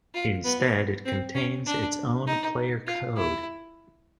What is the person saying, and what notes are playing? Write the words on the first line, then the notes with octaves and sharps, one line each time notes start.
Instead it contains its own player code.
F4
B3
C4
C#4
D4
D#4
F4
E4